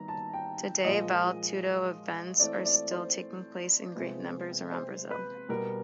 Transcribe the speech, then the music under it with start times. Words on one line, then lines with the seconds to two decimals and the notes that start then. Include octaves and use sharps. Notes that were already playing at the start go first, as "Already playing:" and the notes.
Today, Vale Tudo events are still taking place in great numbers around Brazil.
Already playing: D#3 G3 B3 A#5
0.08 A5
0.33 G5
0.85 A#2 F3 G#3 D#5
2.39 E3 A3 C4 D5
2.65 D5
2.91 C5
3.95 C3 F3 G#3 B3
4.72 C5
5.11 B4
5.49 B2 G3 B3 A#4